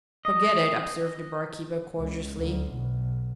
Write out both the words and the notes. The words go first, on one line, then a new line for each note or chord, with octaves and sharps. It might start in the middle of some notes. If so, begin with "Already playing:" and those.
"Forget it!" observed the barkeeper cordially.
D#5
C#2
D2
B1